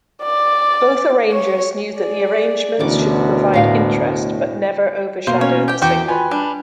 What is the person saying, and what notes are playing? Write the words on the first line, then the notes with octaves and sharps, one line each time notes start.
Both arrangers knew that the arrangements should provide interest, but never overshadow the singer.
D5
C#5
G#4 D5
D2 B2 D3 E3 C#4 A#4 D5
A2 F5
B2 A#3 C5 F5
C#4 C#5
G4 G5
E2 F#4 G4 G5
F4 B4 G#5
G3 D4